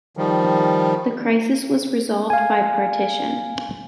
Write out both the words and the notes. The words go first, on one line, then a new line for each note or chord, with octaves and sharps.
The crisis was resolved by partition.
D#3 F3 G3
F5 G#5